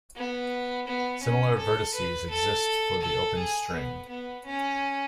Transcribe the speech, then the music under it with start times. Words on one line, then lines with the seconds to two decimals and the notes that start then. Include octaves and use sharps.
Similar vertices exist for the open string.
0.15 B3
0.87 B3
1.23 C#4
1.58 A4
1.94 B4
2.30 A4
3.01 A4
3.37 G#4
3.73 B3
4.08 B3
4.45 C#4